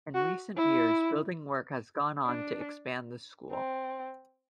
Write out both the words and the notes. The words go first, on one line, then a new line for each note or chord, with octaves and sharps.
In recent years building work has gone on to expand the school.
F#4
E4
D4
C4